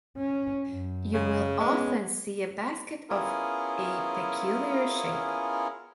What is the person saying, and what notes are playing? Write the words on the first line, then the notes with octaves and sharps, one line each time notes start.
You will often see a basket of a peculiar shape.
C#4
F#2
C#3
G#3 B3 C#4
B3 C#4 E4 F4 G#4 A#4